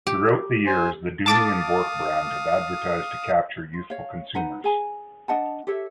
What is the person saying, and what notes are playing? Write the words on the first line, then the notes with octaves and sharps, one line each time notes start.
Throughout the years, the Dooney and Bourke brand have advertised to capture youthful consumers.
G4
C5 G#5
F5 A5 D6 D#6 A6
F4
C#5 F5
D#4 B4 F#5 A#5
G#4 G#5 A#5
D4 D#5 F#5 A5
G4 A4 C#5 E5